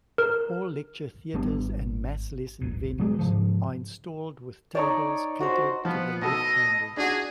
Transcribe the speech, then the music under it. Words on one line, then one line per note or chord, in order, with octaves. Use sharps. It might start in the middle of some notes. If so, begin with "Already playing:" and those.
All lecture theatres and mass lesson venues are installed with tables catered to left-handers.
A#4
G#1 G3 B3 D4
D1 G1
D1 F#3 G#3
G#2 C#3 F3
D#4 C#5 D5
F#4 C5
F3 B3
B2 A4 D#5 E6
D4 F#4 G#4